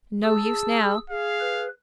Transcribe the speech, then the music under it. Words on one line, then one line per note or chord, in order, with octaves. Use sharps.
No use now.
G#4 A5 E6
G#4 F5
B4